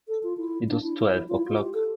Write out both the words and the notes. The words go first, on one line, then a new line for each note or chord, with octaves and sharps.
It was twelve o'clock.
A4
F4
E4
D4
E4
E4
E4
F4
E4
F4
G4
A4